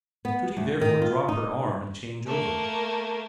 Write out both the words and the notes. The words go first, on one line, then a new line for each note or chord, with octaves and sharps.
Should he therefore drop her arm and change over?
B3
D2
D#3
F4
D#4
A3 A#3